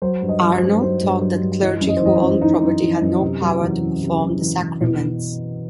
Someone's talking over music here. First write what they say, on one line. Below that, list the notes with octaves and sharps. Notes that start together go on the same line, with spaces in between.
Arnold taught that clergy who owned property had no power to perform the Sacraments.
F#3 C5
G2
D#5
F#3
C5
G2
F#3 C5
G2
F#3
G2
E3 D#5
F#2
D#5
C5
E3 D#5
C5
F#2
E3 D#4
F#2
E3
F#2
C3
F#3
E2
E2
C3
F#3
E2
E2
B2 E4